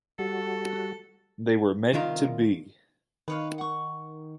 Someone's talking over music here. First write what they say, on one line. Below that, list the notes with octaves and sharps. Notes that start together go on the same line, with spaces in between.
They were meant to be.
G3 F#4 A4
C2 D#3 F4 A#4
D#3 B4 C#5 F5
F#5 C#6